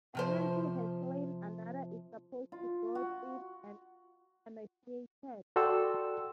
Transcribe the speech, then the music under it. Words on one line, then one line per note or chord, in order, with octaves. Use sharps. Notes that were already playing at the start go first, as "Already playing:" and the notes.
A man who has slain another is supposed to grow thin and emaciated.
C3 F3 C5
F4
F#4
F#4 A4 D5 G5 C6 E6